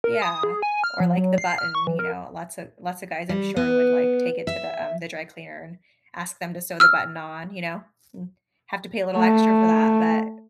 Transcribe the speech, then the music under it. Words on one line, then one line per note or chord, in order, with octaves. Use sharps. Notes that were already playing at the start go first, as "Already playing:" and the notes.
Yeah, or, like, the button, you know, lots of lots of guys I'm sure would, like, take it to the, um, the dry cleaner and ask them to sew the button on, you know, and have to pay a little extra for that, but
A#4
D#6
G#4
G#5
F6
F3
F#3
C7
F6
C#6
E3
A#4
G3
B3
E5
E6 F6
A3